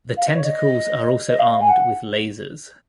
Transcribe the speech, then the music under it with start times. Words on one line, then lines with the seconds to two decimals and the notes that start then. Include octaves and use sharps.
The tentacles are also armed with lasers.
0.17 F5
0.26 D#5
0.35 C#5
0.44 D#5
1.28 D#5
1.39 F5
1.60 G#5
1.68 F#5